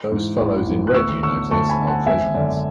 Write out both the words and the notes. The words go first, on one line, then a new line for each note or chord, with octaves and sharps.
Those fellows in red you notice are prisoners.
G#2 E3
A1
G#2 E3
F#6
D2 C#6 E6
D3 C#6 E6
D2 A5 C#6
G#5 B5
D3
F#5 A5
G#1 E5 G#5
F#2 D3 D5